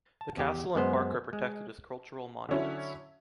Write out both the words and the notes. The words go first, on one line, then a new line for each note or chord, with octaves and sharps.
The castle and park are protected as cultural monuments.
A5
E2 G4
F#2 G#3 B3 C5
G#3
D3 F#3 C#4 E4